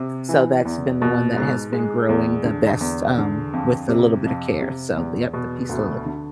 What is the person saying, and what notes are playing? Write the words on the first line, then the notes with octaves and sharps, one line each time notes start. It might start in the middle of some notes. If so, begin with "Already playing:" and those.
so that's been the one that has been growing the best, um, with a little bit of care. So the yep, the peace lily.
Already playing: C3
E3
E2
B2
G#2
G#3
E2
D3
E2
D3
F2
C3
F2
C3
E2
B2
D2
D3